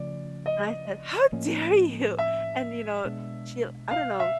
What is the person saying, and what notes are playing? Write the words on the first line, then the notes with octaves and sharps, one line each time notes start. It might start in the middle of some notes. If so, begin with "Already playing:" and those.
I said, “How dare you? “And, you know, she I don't know,
Already playing: C#3 F3 A3 C#4 D5
D#5
A2 F3 A#3 C#4
E5
B2 G#3 B3 D4
F5
E5